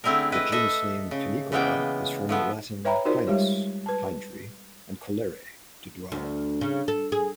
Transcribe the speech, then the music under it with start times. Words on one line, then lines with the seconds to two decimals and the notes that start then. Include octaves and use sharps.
The genus name "Pinicola" is from Latin "pinus", "pine tree", and "colere", "to dwell".
0.04 D3 A3 C4 E4 G#4 A#4
0.32 E4 B4 D#5
0.52 A4 D#5 E5
1.11 C#3
1.52 C#3 E3 G#3 A#3 B3 G5
2.29 F3 A3 B3
2.85 B4 C#5 E5 G5 A#5 B5
3.05 D#4 F4 F#4 A#4 C5 D5
3.27 G3 G#3 G4 C#5
3.86 B4 A5
6.12 D2
6.61 C#3
6.88 A4
7.12 G#4